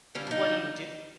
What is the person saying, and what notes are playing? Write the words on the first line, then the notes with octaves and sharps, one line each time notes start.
what do you,
D3 G3 A#3 C#4
D4
D#4